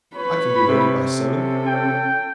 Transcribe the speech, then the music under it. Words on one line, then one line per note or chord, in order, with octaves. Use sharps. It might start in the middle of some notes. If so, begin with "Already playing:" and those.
I can be ready by seven.
B4 C#5 B5
C3
C#4 A4
G5